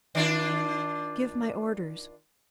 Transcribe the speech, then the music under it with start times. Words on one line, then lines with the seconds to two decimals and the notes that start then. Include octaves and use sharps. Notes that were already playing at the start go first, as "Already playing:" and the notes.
Give my orders.
0.15 D#3 D4 F4